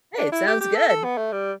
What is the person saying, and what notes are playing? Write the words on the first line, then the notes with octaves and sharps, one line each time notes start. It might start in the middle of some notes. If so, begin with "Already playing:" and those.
Hey, it sounds good.
D4
E4
G4
G4
A4
A4
B3
A3
G3